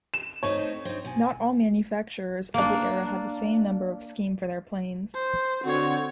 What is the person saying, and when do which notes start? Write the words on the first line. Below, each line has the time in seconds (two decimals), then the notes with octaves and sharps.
Not all manufacturers of the era had the same number scheme for their planes.
0.14 E7
0.43 A3 C4 D#4 C#5
0.85 C4 D#4
1.05 B2 G#5
2.54 A#3 D4
5.15 C5
5.65 D3 C4 F#4 C#5